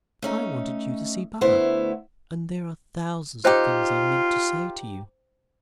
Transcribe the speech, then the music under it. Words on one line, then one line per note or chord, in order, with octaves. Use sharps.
"I wanted you to see Baba, and there are thousands of things I meant to say to you."
A3 C#4 D#4
D2 A3 B3 E4 C5
D#4 F4 G4 C5 G5